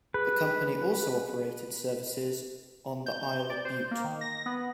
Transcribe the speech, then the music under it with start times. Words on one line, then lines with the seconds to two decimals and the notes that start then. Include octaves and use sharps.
The company also operated services on the Isle of Bute.
0.14 G#4 B4
3.06 G6
3.23 G6
3.50 D5
3.65 C5
3.91 A#3
4.04 D#3
4.21 A#6
4.46 B3